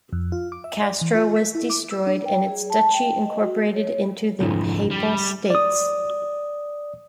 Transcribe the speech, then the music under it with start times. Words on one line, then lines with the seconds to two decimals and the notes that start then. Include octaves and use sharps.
Castro was destroyed and its duchy incorporated into the Papal States.
0.13 F2
0.32 F4
0.52 D6
0.64 E5
0.82 D5
1.01 E3
1.15 F4
1.36 B6
1.55 E4
1.70 D6
1.91 E6
2.07 D4
2.26 G5
2.49 G#4
2.70 A5
2.93 G5
3.25 D#5
3.41 F#4
3.74 C#5
4.40 C2 F2 G#2 D3 E3
4.91 G3
5.50 D5 D#6